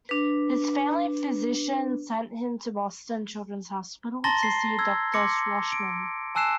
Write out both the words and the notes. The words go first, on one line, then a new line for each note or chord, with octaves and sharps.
His family physician sent him to Boston Children's Hospital to see a Doctor Shwachman.
D4 B4
A5 A#5 C6 A6 A#6 G7
C7
E6 G#6
C6 D6 A#6 C#7
D7
G#5 A5 E6 F#6 C7 E7